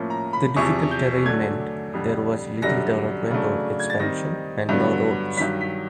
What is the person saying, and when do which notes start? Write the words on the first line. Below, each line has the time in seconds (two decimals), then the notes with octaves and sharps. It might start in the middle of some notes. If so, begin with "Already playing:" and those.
The difficult terrain meant there was little development or expansion, and no roads.
Already playing: A2 F3 A#3 C#4
0.10 A#5
0.33 B5
0.56 E2 C3 F3 C#6
0.91 G6
1.25 D3 F#3 A3 G#6
1.93 F2 D3 G3
2.62 F#2 D3 G3 A#6
3.31 C#3 F#3 A3 D4
3.80 G#6
3.90 A6
4.00 D#3 G3 C4 D#4 A#6
4.69 G2 D3 F#3 B3
5.37 G2 D#3 F#3 B6
5.61 B6